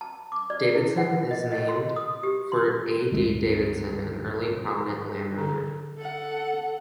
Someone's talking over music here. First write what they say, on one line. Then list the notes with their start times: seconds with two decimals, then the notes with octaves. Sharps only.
Davidson is named for A. D. Davidson, an early prominent landowner.
0.01 A5
0.32 D6
0.50 D5
0.75 E4
0.97 F#5
1.31 D#5
1.52 D#5
1.69 C6
1.96 D#6
2.23 G4
2.52 C6
3.11 G1 C#2 G#3 C4
5.38 D3 G#4
5.97 A4 F#5